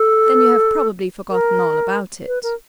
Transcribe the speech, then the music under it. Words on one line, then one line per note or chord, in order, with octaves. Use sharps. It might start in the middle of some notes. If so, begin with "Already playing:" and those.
"Then you have probably forgotten all about it."
Already playing: A4
A#4
B4
A#4